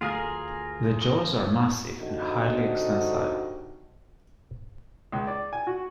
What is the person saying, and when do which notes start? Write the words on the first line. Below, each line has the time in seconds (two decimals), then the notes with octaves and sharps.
The jaws are massive and highly extensile.
0.01 D2 F4 G#4 A#4 F5 G#5
1.98 D3 C4 D#4 F#4 G4 D#5
5.12 C#2
5.27 D5
5.53 G#5
5.67 F#4